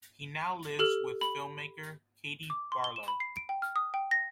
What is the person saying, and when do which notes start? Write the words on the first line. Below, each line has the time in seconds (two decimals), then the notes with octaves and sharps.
He now lives with film-maker Katie Barlow.
0.79 G4 A4 F6
1.21 B5
2.50 D6
2.72 C6
2.84 G7
2.96 E7
3.08 B5
3.20 C7
3.37 D7
3.49 G5
3.62 F6
3.76 D#6
3.94 G5
4.11 A#6